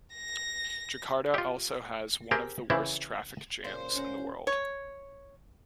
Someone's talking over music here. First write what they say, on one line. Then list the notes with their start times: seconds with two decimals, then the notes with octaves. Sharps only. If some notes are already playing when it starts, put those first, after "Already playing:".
Jakarta also has one of the worst traffic jams in the world.
0.14 A#6
1.34 F4 G4
2.31 C4 G4 G#4 A#4
2.70 C#3 E3 C4 E4
3.64 A#2 C#3 C5
3.95 C#4 F5 F#5 A#5
4.47 C#5